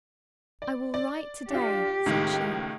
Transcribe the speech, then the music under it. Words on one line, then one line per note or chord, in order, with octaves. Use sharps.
'I will write to-day,' said she.
D5
D5
D4 F4 G4
C#2 A2 D#3